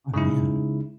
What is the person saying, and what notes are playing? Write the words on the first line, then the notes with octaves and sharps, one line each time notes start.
Oh man.
C#3 G#3 D#4 E4